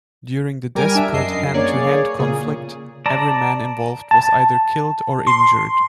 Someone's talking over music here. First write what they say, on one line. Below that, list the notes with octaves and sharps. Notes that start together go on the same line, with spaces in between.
During the desperate hand-to-hand conflict, every man involved was either killed or injured.
G3 A#4 G#5 D7
D4 E5
F#2 D#5 C7
A#3 G#4 C#5 D5
A#2 C#3 G#4
D5 A5 A#5
A5
C6